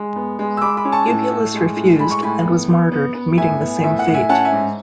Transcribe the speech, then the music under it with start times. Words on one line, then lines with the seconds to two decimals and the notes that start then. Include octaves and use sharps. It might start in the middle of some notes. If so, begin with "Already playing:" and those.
Eubulus refused, and was martyred, meeting the same fate.
Already playing: G#3
0.16 B3
0.39 G#3
0.57 E6
0.62 G#3 B5 D6
0.77 B5 D6
0.85 C#4
0.92 A5 C#6
1.08 A2
1.31 A2
1.54 G#3
1.77 A2
1.99 G#3 B5
2.11 C#6
2.23 A2 G#5 B5
2.46 B3
2.68 B3
2.92 B3
3.14 B3
3.37 A2 E5 G#5
3.60 B3
3.84 A2 E5
3.99 F#5
4.07 A2
4.14 E5 G#5
4.29 C#4 F#5 A5
4.45 E5 G#5
4.52 G#2